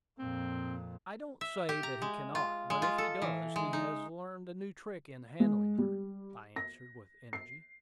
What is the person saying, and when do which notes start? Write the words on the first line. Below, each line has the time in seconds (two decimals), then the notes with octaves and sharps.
"I don't say that he cannot; but if he does, he has learned a new trick in handling her," I answered, with energy.
0.19 F2 A#2 C4
1.41 E5
1.69 G4
1.83 A#5
2.02 G#3
2.35 F4
2.70 G#3
2.82 F4
2.98 A4
3.22 E3
3.56 G#3
3.73 D#4
5.40 G#3
5.78 G3
6.56 A#6
7.33 C7